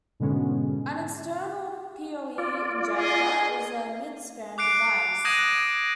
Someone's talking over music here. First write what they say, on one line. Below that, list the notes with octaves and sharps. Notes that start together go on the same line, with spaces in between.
An external PoE "injector" is a "midspan" device.
G#2 B2 D3 G#3 B3 C#4
F4 D5
G#4 D#5
D6 F#6 C7 D7
D#6 F#6 G#6 A#6 D#7 E7